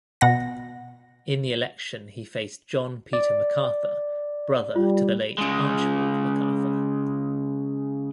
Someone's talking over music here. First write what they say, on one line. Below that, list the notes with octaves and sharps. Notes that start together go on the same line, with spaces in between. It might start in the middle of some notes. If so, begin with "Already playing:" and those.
In the election he faced John Peter McArthur, brother to the late Archibald McArthur.
B2 F#5 A#6
D5
G3 F4
C#3 G#3